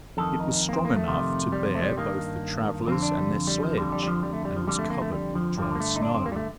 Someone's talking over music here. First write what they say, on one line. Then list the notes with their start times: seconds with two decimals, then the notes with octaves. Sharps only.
It was strong enough to bear both the travellers and their sledge, and was covered with dry snow.
0.17 F2 D#3 A4
0.40 D#4
0.69 A#3
0.73 C4
0.85 A#3
0.96 A3
1.08 F2 C3 D#3
1.52 G3
1.75 A3
1.82 G3
1.97 G2 D#3 A#3
2.87 F2 D3 C4
3.02 D4
3.18 G3
3.47 G3
3.63 F3
3.77 F2 D3 G3
3.92 G3
4.03 G3
4.07 F3
4.23 G3
4.33 A3
4.45 G3
4.56 F3
4.67 F2 D3 G3
4.79 A3
4.90 A#3
5.02 A3
5.12 G3
5.35 F3
5.58 G2 D3 F3
5.75 A#3
5.80 A3
5.96 D#4
6.03 D4
6.14 C4
6.26 A#3
6.32 G3
6.36 A3